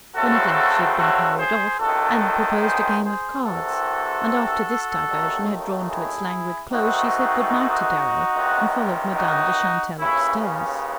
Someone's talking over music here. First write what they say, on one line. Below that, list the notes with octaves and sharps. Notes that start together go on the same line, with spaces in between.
When at length she had been carried off, Anna proposed a game of cards, and after this diversion had drawn to its languid close she said good-night to Darrow and followed Madame de Chantelle upstairs.
E2 C#3 F#3 A3 C4 F#4 A4
F#4 A4
G#4 C5
C#2 C3 D#3 F#4 A4
G#4 C5
G#4 C5
C2 C3 E3 C4 F#4 A4
D#2 D#3 F#3 A3
E4 G#4
G#2 D#3 A3 C4 D#4 F#4
C#2 C3 D#3
D#4 F#4
D#2 C#3 E3 C#4 E4
C#4